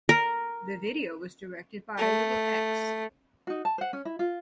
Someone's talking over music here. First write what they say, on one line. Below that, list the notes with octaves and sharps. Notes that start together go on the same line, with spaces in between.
The video was directed by Little X.
A#4
A3
D#4 F#4
A5
C5 F#5
C#4
E4
F4